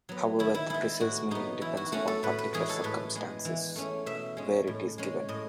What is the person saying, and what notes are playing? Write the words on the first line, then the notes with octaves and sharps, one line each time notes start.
However, the precise meaning depends upon the particular circumstances where it is given.
F#3 B3
D#3 E4
E4
G#3 B3 E4
A2 F#4
F#3 B3 D#4
E3 E4
F#4
A3 C#4 F#4
A4
A2 B4
B4
E3 G#3 C#4 G#4
A4
A2 B4
G#3 B3
E3
A3 C#4
B2 E5
G#3 C#4
A2
G#3 C#4
A2 D#5